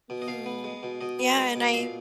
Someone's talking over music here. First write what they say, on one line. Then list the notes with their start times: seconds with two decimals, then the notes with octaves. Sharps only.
Mm. Yeah, and I
0.10 B2
0.22 D#5
0.28 B2 F5
0.46 B3
0.64 G#3
0.83 B2
1.01 B2 D#5
1.19 B3
1.37 G#3
1.56 B2
1.74 A#2 F5